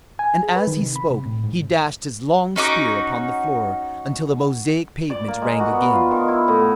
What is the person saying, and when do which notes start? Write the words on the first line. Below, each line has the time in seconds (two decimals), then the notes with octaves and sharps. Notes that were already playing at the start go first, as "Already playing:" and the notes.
And as he spoke he dashed his long spear upon the floor, until the mosaic pavement rang again.
0.19 G#5
0.43 G#4
0.56 B4
0.67 D#3
0.81 C3
0.96 B5
1.10 C3
1.26 A2
1.44 G#2
2.56 C#4 D#4 F#4 D6
5.10 D5
5.28 A#3
5.42 G#3
5.60 F#4
5.72 B3
5.92 F4
6.11 D#3
6.28 E4
6.48 A2